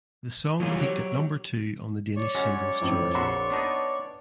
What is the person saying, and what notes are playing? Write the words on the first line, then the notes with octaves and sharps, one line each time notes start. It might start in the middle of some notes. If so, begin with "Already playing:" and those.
The song peaked at number two on the Danish Singles Chart.
E3 F#3 G3 A#3 F4 G#4
F#3 G4 C#5
C#5 D5 C#6
F#3 G#3 C#4
F2 A2 C4
A#1 F#4 E5 A#5 C6
B3 D4 D#4 B4 A5